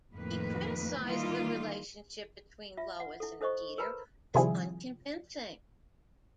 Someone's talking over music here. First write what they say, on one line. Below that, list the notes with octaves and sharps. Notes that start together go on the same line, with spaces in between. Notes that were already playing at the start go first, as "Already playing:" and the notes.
He criticized the relationship between Lois and Peter as unconvincing.
F2 A2 D#3 A#3 B4
D#3 E3 G3 A#3 D#4 F4
F4 E5
F#5
E4 A4
E4 A4 C5 D#5 C#6
A#4 B4 A#5 B5
C3 D#3 F3 G3 E4 G#4